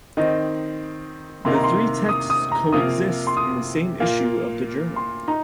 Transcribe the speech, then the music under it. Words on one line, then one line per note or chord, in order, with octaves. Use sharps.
The three texts coexist in the same issue of the journal.
D#3 C4 D#4 D#5
C3 D#3 A#3 D#4 C6
A#5
C6
D#6
D#6
A#5
C3 F3 A#3 F4 D#6
C6
D#6
A#2 A#3 F4
C6
D#4 A#5